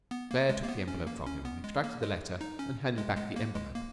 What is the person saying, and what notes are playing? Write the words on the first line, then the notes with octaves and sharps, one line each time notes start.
Claire took the envelope from him, extracted the letter, and handed back the envelope.
B3
A#3
G#3
A#3
B3
C#4
A#3
C#4
B3
G#3
A#3
G#3
D#4
C#4
G#3
G#3
A#3
G#3
A#3